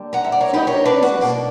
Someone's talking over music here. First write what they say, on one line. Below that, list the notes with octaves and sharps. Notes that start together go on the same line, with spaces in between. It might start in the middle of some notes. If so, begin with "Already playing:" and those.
Smoke the lenses.
Already playing: D3 G3 A#3
F#5 A#5
E5
D5
A#4 C#5
G4 B4
A#4 C#5
B4 D5
F#4
B2 A#3 D4